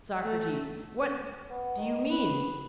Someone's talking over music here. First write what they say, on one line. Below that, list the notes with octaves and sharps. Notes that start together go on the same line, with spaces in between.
SOCRATES: What do you mean?
A3
B3
D#3
B4